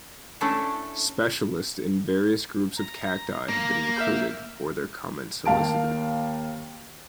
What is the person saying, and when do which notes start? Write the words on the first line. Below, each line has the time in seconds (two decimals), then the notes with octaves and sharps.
Specialists in various groups of cacti have been included, or their comments solicited.
0.41 A3 C#4 D4 E4 A4
2.77 A#5
3.49 A#3 F5 A#6
3.96 E5 F6 G6
5.45 D#2 A#3 F5 A5 D7